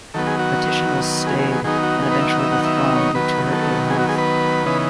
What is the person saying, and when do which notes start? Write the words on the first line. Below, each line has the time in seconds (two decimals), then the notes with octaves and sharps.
The petition was stayed and eventually withdrawn due to her ill-health.
0.14 D#3 F#3 B3 A4
0.27 G#4
0.39 F#4
1.27 G#4
1.39 G#4
1.52 G#4
1.64 D#3 F#3 B3 D#4 G#4
1.83 F#4
2.02 G#4
2.11 B4
2.21 E5
2.30 F#5
2.39 E5
2.52 F#5
2.65 E5
2.77 E5
2.96 C#5
3.15 D#3 F#3 B3 B4
3.52 A4
3.90 G#4
3.99 F#4
4.09 G#4
4.18 B4
4.66 C#3 E3 B3 D#4